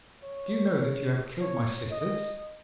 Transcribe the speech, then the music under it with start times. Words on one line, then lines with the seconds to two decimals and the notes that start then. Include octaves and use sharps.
'Do you know that you have killed my sisters?'
0.23 C#5
1.40 C#5
1.91 D#5